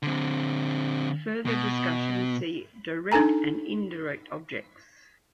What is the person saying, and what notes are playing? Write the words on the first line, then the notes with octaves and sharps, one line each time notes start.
For further discussion, see 'Direct and indirect objects'.
D3 C4
B2
D4 D#4 A4 G#5 A#5